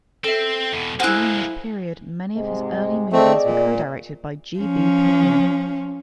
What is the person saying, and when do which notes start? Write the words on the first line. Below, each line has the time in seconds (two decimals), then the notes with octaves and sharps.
During this period, many of his early movies were co-directed by G. B. Kuyinu.
0.24 C4 A4 E5
0.73 E2 B2
1.00 G#3 A#3 E4 F#4 C5 G#5 F#6
2.37 G#2 C3 G#3
3.12 A3 C4 G#4 D5 D#5
3.45 A#2
4.59 F3 C#4